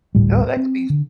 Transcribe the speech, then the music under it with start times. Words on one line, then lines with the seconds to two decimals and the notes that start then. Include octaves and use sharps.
No, that could be f
0.15 G#1 D2 A2 G3
0.57 C4
0.90 D3